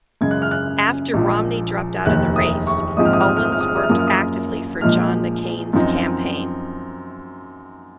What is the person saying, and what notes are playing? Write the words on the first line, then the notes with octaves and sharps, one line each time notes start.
After Romney dropped out of the race, Owens worked actively for John McCain's campaign.
F#2 C#3 G#3 G#6
F#6
F6
F#6
A#1 A#2 F3 G#3
F1 D#2 D#3 F#6
D#6
C#6
A#1 G#2 F3 G#3 C4 D#6
F6
D#6
F6
D#6
F6
D#6
F6
D#6
F6
D#6
F6
F#2 F3 A#3 D#6
F6
D#6
A#1 A#2 F3 G#3 F6
F#2 F3 C4 D#4